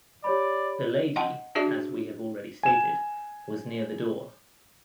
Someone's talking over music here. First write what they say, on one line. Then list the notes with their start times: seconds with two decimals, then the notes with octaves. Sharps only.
The lady, as we have already stated, was near the door.
0.24 G4 C#5 D5 B5
1.16 D#5 F#5 G5 A5 C6
1.55 D4 F#4 G#4 D5 E5 A5
2.63 G#5 E7